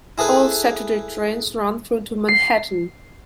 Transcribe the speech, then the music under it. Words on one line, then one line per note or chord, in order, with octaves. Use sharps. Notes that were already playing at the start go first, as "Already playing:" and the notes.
All Saturday trains run through to Manhattan.
E4 G#4 A4 B4
C7